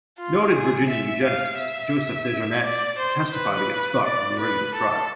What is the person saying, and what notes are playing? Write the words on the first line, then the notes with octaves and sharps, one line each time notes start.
Noted Virginia eugenicist Joseph DeJarnette testified against Buck in the original trial.
F4
G#4
E5
F5
E5
D5
C5
B4
D5
B4
A4